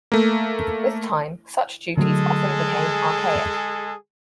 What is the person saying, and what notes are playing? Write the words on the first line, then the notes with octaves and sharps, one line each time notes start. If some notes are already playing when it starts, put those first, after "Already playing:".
With time, such duties often became archaic.
A3 A#3
D3 F#3 G#3 A3 G#4 A4